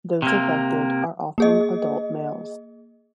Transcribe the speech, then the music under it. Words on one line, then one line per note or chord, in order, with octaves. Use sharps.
Those affected are often adult males.
C3 A#3
A#3 G#4 D#5